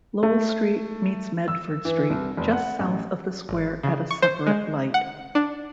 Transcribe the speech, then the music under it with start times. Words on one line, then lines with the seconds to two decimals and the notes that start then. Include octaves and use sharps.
Lowell Street meets Medford Street just south of the square at a separate light.
0.23 A3
1.48 E6
1.85 E3
2.10 C2
2.37 F1
2.53 F#5
2.79 A1
3.49 G#1
3.83 C#3
4.11 C#6
4.22 C5
4.47 G#3
4.94 F#5
5.35 D4